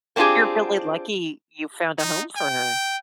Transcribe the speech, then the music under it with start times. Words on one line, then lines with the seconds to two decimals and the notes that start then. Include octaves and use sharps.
You're really lucky you found a home for her.
0.16 A#3 C4 D4 F4 G4 G#4
1.98 D#4
2.37 G5